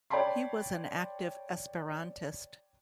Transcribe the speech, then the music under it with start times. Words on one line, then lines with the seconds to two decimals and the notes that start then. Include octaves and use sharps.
He was an active Esperantist.
0.10 C#5 D5 G5 A5 B5 C6